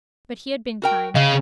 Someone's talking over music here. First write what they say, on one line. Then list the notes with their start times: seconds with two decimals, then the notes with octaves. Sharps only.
But he had been kind.
0.82 F#4 A#4 G5
1.15 C#3 D#5 F5